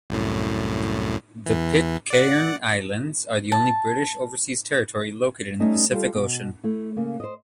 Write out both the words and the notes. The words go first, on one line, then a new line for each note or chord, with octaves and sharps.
The Pitcairn Islands are the only British Overseas Territory located in the Pacific Ocean.
C2 F#2 A2
E2 E3
D5 F#5
A5
G3 A3 C#4 D#4 D#5 E5
G3 F4 G4 A4
B2
A3 E4
C#3 A#3
C5 D#5